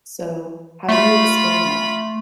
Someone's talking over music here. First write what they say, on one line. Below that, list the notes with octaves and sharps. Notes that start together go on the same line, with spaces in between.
So, how do you explain that?
A3 F4 B5